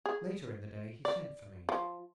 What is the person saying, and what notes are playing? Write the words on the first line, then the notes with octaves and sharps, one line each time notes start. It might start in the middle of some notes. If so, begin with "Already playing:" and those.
Later in the day he sent for me.
G#4
D5
F3